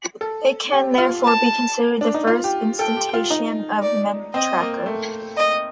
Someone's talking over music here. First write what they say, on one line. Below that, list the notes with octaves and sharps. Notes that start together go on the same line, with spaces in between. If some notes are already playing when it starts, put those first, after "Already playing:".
It can, therefore, be considered the first instantiation of a memetracker.
A4
G4
F4
A5
D4
D#4
F4
G4
A4 G5
G4
F4
D#4
D5
C4 D#5
A#3
A3
D#5